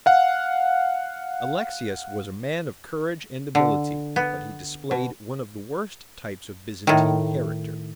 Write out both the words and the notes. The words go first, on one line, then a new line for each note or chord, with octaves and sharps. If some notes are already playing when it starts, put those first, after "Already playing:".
Alexius was a man of courage and ability, but he displayed one of the worst types of Byzantine character.
F5 F#5
D3
B3
B2
A2 D#3